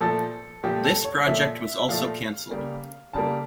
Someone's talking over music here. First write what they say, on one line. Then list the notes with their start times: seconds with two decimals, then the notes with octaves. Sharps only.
This project was also cancelled.
0.01 A#2 F3 A3 A4
0.63 A#2 F3 A3 G4
0.84 A4
1.05 C#5
1.26 A#2 F3 A3 E5
1.89 A#2 F3 A3 F5
2.51 C#3 G3 A#3
3.13 C#3 G3 A#3 A5